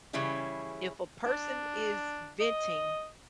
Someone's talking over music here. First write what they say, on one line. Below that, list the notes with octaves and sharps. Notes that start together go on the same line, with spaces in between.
If a person is venting,
C#3 E3 G3 C#4 E4 G#4
D4
D#5